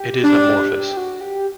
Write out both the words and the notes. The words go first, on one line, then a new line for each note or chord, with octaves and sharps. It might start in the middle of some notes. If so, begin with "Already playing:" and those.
It is amorphous.
Already playing: G4
D4
F#4
G4